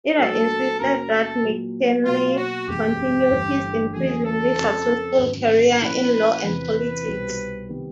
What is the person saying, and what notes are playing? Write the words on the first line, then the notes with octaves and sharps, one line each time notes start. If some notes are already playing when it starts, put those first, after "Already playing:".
Ida insisted that McKinley continue his increasingly successful career in law and politics.
A#2 F#3 A3 D4 F#4 A4
F#2 C#3 F#3 A#3 A#4
A4
A#2 F#3 A#3
B2 F#3 A#3 F4
F#4
F#1 E2 B2 G#3 G4
G1 G2 E3 A3
E2 C#3 F#3 A3 G#4
A4
F2 C#3 F3
G#1 F#2 D3
A#2 F3 A#3 C#4 E4 B4
B4
E2 C3 E3 B4
C2 B2 G3 C4 D#4
C3 D#3 G3 B3